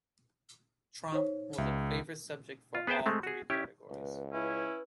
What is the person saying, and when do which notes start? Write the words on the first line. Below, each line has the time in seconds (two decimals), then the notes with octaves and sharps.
Tromp was a favourite subject for all three categories.
1.12 D#4 C5 C#5
1.58 C#2 E5
2.75 F4
2.87 B3 G#4 B4 C5 G5 A5
3.06 G#3 A3 C4
3.23 F#4 G#4
3.50 C#4 E4 G4
3.90 C#2 B4
4.33 C#4 E4 B4